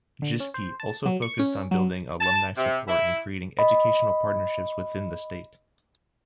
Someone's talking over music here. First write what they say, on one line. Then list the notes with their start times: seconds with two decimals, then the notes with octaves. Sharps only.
Jischke also focused on building alumni support and creating educational partnerships within the state.
0.22 D3
0.40 C#4
0.54 C5
0.80 A5
1.06 F#3
1.22 C#6
1.39 C#4
1.71 F#3
2.21 A5
2.56 C3
2.88 E4
3.59 D#5 B5